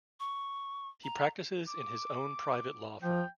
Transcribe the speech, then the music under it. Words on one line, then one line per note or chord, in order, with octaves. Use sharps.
He practices in his own private law firm.
C#6
A#5
D6
F3 G5